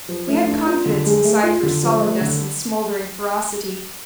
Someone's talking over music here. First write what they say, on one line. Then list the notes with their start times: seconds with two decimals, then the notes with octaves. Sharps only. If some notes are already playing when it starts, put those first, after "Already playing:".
We had confidence in Cypher's sullenness and smouldering ferocity.
0.08 F3
0.28 A3
0.47 D4
0.67 F4
0.86 D3
1.06 G#3
1.24 A3
1.43 F4
1.63 D3
1.83 F3
2.01 A3
2.21 D3